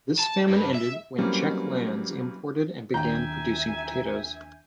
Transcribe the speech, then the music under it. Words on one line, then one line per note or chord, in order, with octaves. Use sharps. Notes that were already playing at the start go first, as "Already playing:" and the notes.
This famine ended when Czech lands imported and began producing potatoes.
A5
G2
E5
E3 F#3 G3 A#3 C4 C#4
D#2 D4 E5 G5 G#5 A#5 G6